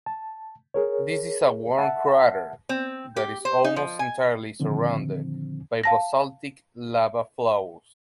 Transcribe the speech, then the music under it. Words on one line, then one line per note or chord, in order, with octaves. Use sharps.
This is a worn crater that is almost entirely surrounded by basaltic lava flows.
A5
G#4 A#4 C#5
E5 F#5 A5
C4
G4
C5
D#4
F3
G#5
A#2 D3 D#3 F3 C4
F5 A5 A#6